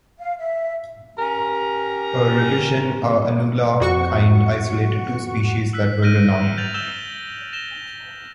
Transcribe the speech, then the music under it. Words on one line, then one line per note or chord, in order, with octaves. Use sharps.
A revision a Inula kind isolated two species that were renowned.
F5
E5
C#4 G4 A#4 A#5
F2 F#4 C#6
E6 F#6 B6
F6 G6 A#6 D7 D#7
G6 A6 F7 F#7
E6 G6 E7 G7
A#6 E7 G7